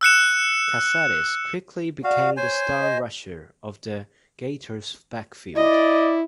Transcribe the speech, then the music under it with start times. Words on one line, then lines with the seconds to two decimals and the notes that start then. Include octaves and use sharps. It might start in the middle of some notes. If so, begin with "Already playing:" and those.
Casares quickly became the star rusher of the Gators' backfield.
0.01 E6 F#6 C#7 E7
2.04 F#4 D5 F5
2.37 C5 C#5 G#5
2.82 D#5
5.56 E4 D5 D#5